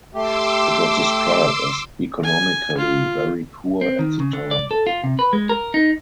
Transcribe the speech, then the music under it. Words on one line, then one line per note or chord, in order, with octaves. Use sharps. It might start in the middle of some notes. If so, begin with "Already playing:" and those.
It was described as economically very poor at the time.
A3 G4 C6 D6 E6
G#5
F4
C4
D#3
C#3
D3
D5
A4
F4
C3
B4
G#3
A#4
D#4